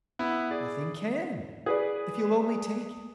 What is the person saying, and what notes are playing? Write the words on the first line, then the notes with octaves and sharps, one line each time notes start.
"Nothing CAN--if you'll only take it..."
B3 E4
G#4 D5
G#4 B4 D5